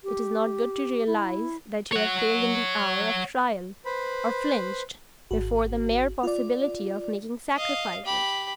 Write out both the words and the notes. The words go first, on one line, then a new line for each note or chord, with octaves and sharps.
It is not good to realise that you have failed in the hour of trial or flinched before the mere possibility of making sacrifices.
G4
E4
C#5 F#5
B4 C5 B5
G#1 F#4
F4 D5
D#5 F5
G4 B5